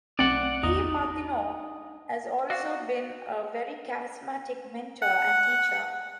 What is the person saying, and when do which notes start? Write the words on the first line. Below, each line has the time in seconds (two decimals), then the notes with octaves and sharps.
De Martino has also been a very charismatic mentor and teacher.
0.19 B1 A3 C4 D5 F#5
0.63 G#1 E2 D#4
2.50 F#4 D5 F5
5.02 F#5